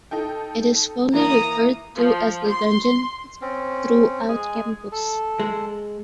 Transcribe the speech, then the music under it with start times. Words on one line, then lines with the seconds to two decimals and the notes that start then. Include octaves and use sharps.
It is fondly referred to as "The Dungeon" throughout campus.
0.11 D#4 A4 G5
1.14 E3 A#3 A#5 D#6
1.96 F3
2.49 C6
3.42 C4 C#4
4.29 G#3 G#4 G#5
4.92 A4
5.40 G#3